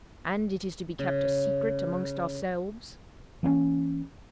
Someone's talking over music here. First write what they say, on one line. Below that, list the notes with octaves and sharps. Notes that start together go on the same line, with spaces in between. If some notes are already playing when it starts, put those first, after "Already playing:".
"And it is to be kept a secret amongst ourselves?"
C#3
E3 A#3 B3 C#4